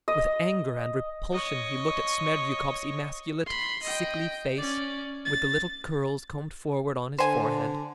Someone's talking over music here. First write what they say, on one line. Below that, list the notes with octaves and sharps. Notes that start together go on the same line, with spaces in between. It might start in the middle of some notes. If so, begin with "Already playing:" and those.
With anger and repulsion he looked at Smerdyakov's emasculate, sickly face, with the little curls combed forward on his forehead.
D#5
C#5 D#5
B5 C6
D#5 G5
C#4 D5
A6
D3 C5 G#5